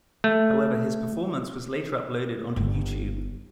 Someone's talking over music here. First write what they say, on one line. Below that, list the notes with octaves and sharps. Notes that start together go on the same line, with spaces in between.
However, his performance was later uploaded onto YouTube.
A3
G1 D3